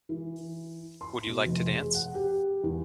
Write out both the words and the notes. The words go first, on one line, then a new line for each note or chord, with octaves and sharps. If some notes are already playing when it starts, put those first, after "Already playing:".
Would you like to dance?
E3
C6
B2
F1
G#4
F#5
G4
E2